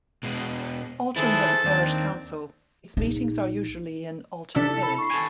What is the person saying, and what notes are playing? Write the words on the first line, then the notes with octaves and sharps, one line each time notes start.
Altham has a parish council; its meetings are usually in Altham village.
B2 G#3
D#3 E4 G#4 A4 C5 A5
D#2 C4 D4
A#1 D#4
C3 D4 A4 B6
E4
B5
C#6 C7
A4 G#5